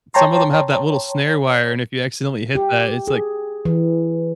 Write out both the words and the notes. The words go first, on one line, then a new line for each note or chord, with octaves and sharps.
some of them have that little snare wire, and if you accidentally hit that, it's like,
C#5 G5 A5 A#5 C6
G4
G#4
E3